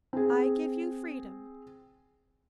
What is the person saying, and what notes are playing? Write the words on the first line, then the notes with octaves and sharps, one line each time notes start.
I give you freedom.
C4 G#4